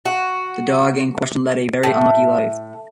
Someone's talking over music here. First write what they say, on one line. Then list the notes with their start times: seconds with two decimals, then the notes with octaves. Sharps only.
The dog in question led a very unlucky life.
0.05 F#4
1.83 A2